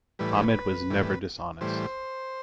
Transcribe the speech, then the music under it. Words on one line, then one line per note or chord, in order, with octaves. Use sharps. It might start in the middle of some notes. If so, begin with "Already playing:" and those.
Ahmed was never dishonest.
A2 E3 G3 B4
A2 E3 G3
A2 E3 G3 C5